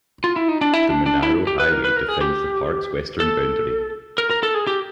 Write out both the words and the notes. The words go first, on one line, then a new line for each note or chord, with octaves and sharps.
The Monaro Highway defines the park's western boundary.
F4
E4
D#4
D4
E4
D4
D4
E4
G4
B4
A#4
B4
A#4
G#4
G4
A4
A#4
A#4
A4
G#4
G4